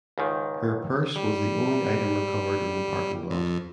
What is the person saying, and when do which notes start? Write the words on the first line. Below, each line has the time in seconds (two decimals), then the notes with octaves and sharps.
Her purse was the only item recovered in the parking lot.
0.18 C#2 G#2 D#3
1.16 G3
3.31 F2